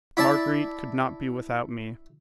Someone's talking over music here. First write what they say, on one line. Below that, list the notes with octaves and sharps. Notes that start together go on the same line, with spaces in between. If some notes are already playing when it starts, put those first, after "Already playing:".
Marguerite could not be without me.
E4 D5 A5